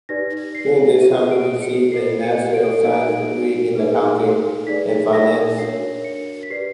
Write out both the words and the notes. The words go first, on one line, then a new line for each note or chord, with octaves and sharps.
During this time, he received a Master of Science degree in Accounting and Finance.
D#4 G4 B4 D5 A#6
C7
F4 G#4 C#5 D#7
D7
C#7
F4 A4 C5 C7
C#7
D7
D#4 F#4 B4 D5 D7
D#4 G#4 B4
D#4 G#4 B4 D5 B6
A#6
D4 F#4 A#4 C#5 C7
C#7
B6
G4 B4 D5 C7